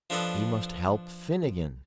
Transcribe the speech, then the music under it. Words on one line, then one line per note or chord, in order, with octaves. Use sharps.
He must help Finnegan.
F3 D4 A4 B4 D#5